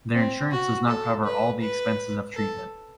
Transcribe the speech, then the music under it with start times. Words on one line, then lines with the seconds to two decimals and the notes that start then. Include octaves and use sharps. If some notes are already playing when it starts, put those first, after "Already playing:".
Their insurance does not cover all the expenses of treatment.
0.15 C4
0.52 F#4
0.88 A4
1.25 B4
1.61 B4
2.34 A4